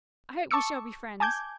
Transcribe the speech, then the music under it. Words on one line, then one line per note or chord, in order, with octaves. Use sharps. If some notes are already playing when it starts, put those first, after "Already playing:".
I hope we shall be friends.
A5 C#6 D6 E6 C#7
G#5 A5 D6 G6 G#6